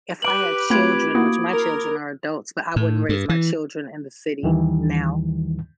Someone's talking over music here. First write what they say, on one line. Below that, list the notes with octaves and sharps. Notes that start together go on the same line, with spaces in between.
if I had children, which my children are adults, but I wouldn't raise my children in the city now.
G4 B4 D6 D7 F#7
A3 C4 F4 B5 G#6 D7
A#3 E4 F#4 D#6
A#4
A2
G2
E3
D#2 D#3 E3 G3